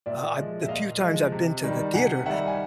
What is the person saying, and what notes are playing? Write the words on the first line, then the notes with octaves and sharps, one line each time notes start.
uh, I the few times I've been to the theater,
A#2 D5 E5
F3 G#3
E5
A#2 D#5 F5
F3 G#3
C3
D#3 G3
C3 F#5 G#5
D#3 G3 E5 F#5
G#5